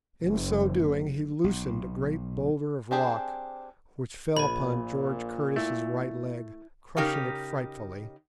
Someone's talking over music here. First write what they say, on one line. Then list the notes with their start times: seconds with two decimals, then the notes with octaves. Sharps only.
In so doing he loosened a great boulder of rock, which fell upon George Curtis's right leg, crushing it frightfully.
0.23 F#1
1.44 B1
2.91 C4 D4 G4 G#4
4.37 A#1 A#2 G#5 B5
5.56 A3 E4
6.97 C#3 D#4 G4 A#4